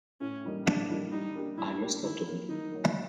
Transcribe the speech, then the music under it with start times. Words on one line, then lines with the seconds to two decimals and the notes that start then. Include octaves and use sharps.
I must have done.
0.21 A2 C#4
0.44 E3 G3 A#3 D#4
0.66 A2 D4
0.89 E3 G3 A#3 D#4
1.12 G3 D#4
1.35 A#3 D4 G4
1.58 G3 E4
1.80 A#3 D4 G4
2.03 D#3 E4
2.27 F#3 A#3
2.49 D#3 D#4
2.72 F#3 A#3